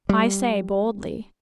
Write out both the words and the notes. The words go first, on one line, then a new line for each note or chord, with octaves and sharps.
I say boldly.
G3